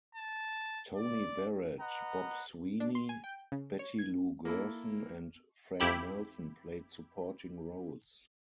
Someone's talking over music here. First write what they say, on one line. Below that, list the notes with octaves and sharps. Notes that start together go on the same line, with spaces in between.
Tony Barrett, Bob Sweeney, Betty Lou Gerson, and Frank Nelson played supporting roles.
A5
D5
B4 D#5 F#5 A#5
D4
C6
G#5
G5
C#3
C#5
G#6
A#3 E4 A4
F2 E4 G4 B5